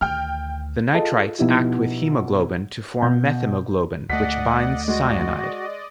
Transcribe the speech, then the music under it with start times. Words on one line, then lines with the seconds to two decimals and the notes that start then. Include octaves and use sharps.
The nitrites act with hemoglobin to form methemoglobin which binds cyanide.
0.01 D2 D#3 G5 F6
0.94 F4 G#4 A4 D#5 A5
1.38 B2 F3 B3 D#4 E4 G4
3.02 B2 G6
4.10 D2 A3 D5 D#5 F#5 B6
4.88 G#3 F#4